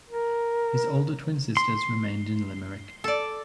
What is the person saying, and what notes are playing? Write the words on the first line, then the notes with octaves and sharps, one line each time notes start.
His older twin sisters remained in Limerick.
A#4
C6
A4 D5